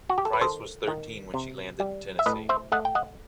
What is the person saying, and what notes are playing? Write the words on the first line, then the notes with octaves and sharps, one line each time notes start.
Price was thirteen when she landed in Tennessee.
F#4
G4
A4
B4
D#3 A4 C5
D#3
C3
G3
E5
A2 B4 D#5
C5 E5
A3 D#5 F#5
G5
D#5 F#5